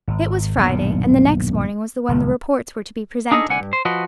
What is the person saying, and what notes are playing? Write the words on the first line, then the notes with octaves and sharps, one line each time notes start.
It was Friday, and the next morning was the when the reports were to be presented.
G#1
D#1 B1 G2 A#2
D#1 C#2
D4 D#4 G#4 A4 D#5
C2 D3 F#5 G#5
G2
C5
F3 F#4 B4 D#5